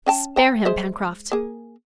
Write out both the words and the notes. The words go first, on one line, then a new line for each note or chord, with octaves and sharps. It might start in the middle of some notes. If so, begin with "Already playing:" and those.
"Spare him, Pencroft."
C#4 G5 A5
C5 G5 A#5
G#3 C5 E5
A#3 G#4